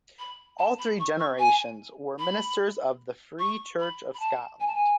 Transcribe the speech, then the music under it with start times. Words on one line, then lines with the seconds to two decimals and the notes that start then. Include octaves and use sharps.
All three generations were ministers of the Free Church of Scotland.
0.19 B5
0.58 A5
0.78 B5
0.99 C#6
1.19 C#6
1.39 G#5
2.19 B5
3.39 C#6
3.79 B5
4.14 B5
4.19 A5
4.60 G#5
4.67 A5
4.75 G#5